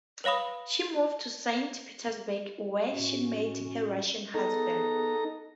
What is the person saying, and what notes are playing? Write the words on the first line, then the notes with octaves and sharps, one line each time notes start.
She moved to Saint Petersburg where she met her Russian husband.
B4 C#5 F5 B5 D#6
A2 C#4 F#4
B3 D#4 G#4 A4 B4 A#5